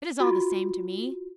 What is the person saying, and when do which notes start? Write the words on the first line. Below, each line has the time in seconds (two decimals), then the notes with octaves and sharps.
It is all the same to me.
0.20 F4 F#4